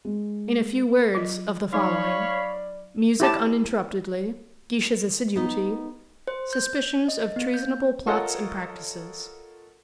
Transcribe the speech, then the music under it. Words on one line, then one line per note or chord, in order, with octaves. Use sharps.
"In a few words, of the following: music uninterruptedly; Guiche's assiduity; suspicions of treasonable plots and practices."
G#3
F#3 F4 D#5
F#3 D#4 C#5 D5 F5 B5
E4 G4 A5
B3 D#4
C5
G6
D#5
B3
G6
F4 A4 A#4 C#5 D#5 F#5